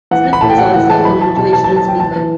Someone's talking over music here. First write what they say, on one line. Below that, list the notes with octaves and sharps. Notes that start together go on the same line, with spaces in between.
Smith was also a motivational speaker.
E3 F#5
E3
B5
A2 A5
G5
A2 F#5
E3 F#5
E3 A5
F#3 B5
F#3 A5
B2 A5
B2 A5
A5
F#3
A5
F#3 G5
E3 A5
E3